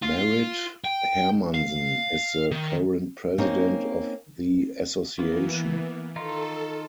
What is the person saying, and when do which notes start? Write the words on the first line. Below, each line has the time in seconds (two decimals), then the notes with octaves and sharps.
Marit Hermansen is the current president of the association.
0.02 F4
0.84 G5
1.55 F5
2.51 D#3
3.38 A#3 C4 C#4 D#4
5.19 E3 A#3 B3
6.16 D#3 D#4 F4 A4